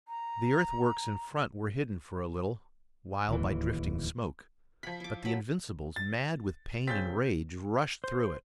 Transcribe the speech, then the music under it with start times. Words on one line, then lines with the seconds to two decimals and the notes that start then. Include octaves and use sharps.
The earthworks in front were hidden for a little while by drifting smoke, but the Invincibles, mad with pain and rage, rushed through it.
0.08 A#5
3.29 D1 D#2 E3
4.83 F3 B5 B6
5.00 E4 D6
5.25 F#3 B5
5.96 A6
6.88 C#3 C4 G6 A6 B6
8.04 C5